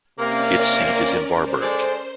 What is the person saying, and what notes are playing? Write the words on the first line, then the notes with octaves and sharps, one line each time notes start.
Its seat is in Varberg.
C3 A#3 C#4 A#4 D5
C5
G#3 A4 D5